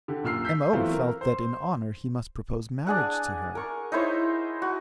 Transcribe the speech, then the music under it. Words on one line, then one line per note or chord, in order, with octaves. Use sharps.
M.O. felt that in honor he must propose marriage to her.
D3 G4
F#2 A#2 E6 F6 C7
E6 G6 B6 C7
E3 F#3 A3 B3 C4 F4
A#4
C5
D4 G#4 F#5
A#4 C#6
D#4 E4 C5 C#5
F#4